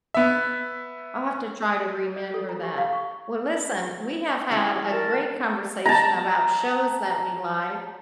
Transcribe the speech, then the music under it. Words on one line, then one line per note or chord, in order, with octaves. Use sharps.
I'll have to try to remember that. Well, listen, we have had a great conversation about shows that we like,
B3 E5
D5
A4
A#5
G4
F5
C#6
G3 C#4 E4
A#4 A5
A5 A#5